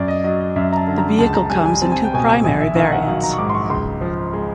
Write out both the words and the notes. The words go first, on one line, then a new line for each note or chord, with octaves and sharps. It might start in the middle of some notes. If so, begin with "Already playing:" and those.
The vehicle comes in two primary variants.
Already playing: F#2 D5
D#5
F#3 D#5
D#5
F#2 E5
A#5
A5
D3
A#5
C#2 A5
A#5
A5
G3 G#5
G#5
C4 A5
G#5
G5
B2 G#5
A#1 G#5
E5
D#3 F5
F#5
F#3 F5
A#5
C#6
G#2 D6
C6
C#6
C#2 C6
F3
G#3